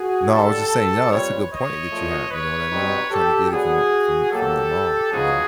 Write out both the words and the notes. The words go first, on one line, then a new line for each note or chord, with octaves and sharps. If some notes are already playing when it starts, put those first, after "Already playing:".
No, I was just saying No, that's a good point that you have, you know what I mean? Tryna get it from from from the mar, you know?
Already playing: F#4 G#4
F#2 D3 G3 G4 A4
A#2 G3 C4 B4 C#5
C#5 D#5
A#2 F3 A3
B4 C#5
B2 G3 C4 D#4
G4 A4
D3 F#3 B3 F#4 G#4
B2 F#3 A#3 G4 A4
C#3 F3 G#3 B3 D#4 F#4 G#4